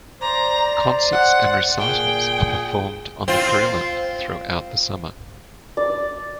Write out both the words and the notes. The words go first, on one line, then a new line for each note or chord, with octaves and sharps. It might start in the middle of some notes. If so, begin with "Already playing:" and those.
Concerts and recitals are performed on the carillon throughout the summer.
C5 D5 A#5
F#5
A#2 G#4 G5
C4 F4
D5